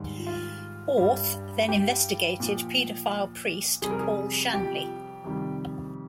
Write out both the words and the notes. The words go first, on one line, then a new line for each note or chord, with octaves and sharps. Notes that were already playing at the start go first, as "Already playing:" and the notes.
Orth then investigated pedophile priest Paul Shanley.
Already playing: G#2 D#3 G3
F4
G2 G3
G4
A#2 F3
F2 C3 G3 G#4
A#4
G#4
G4
F2 C3 D#3 G3